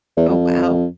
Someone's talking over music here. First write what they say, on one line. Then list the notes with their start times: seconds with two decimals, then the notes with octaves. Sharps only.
Oh, wow.
0.17 E2
0.29 F2